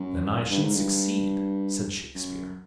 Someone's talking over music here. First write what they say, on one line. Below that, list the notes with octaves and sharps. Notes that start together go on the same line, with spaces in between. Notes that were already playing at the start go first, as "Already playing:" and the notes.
"Then I should succeed," said Shakespeare.
Already playing: F#2
G2
G#2
G2
F#2